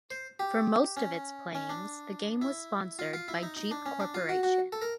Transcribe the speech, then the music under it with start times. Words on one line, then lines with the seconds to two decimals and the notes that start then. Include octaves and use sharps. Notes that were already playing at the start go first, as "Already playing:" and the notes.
For most of its playings, the game was sponsored by Jeep Corporation.
0.11 C5
0.39 G4
0.97 C#4
1.55 C#4
1.69 D4
2.42 E4
2.99 F4
3.13 F4
3.28 E4
3.43 D#4
3.57 D#4
3.71 D4
3.86 C#4
4.00 D4
4.14 F4
4.29 F#4
4.43 F#4
4.72 A4
4.82 A#4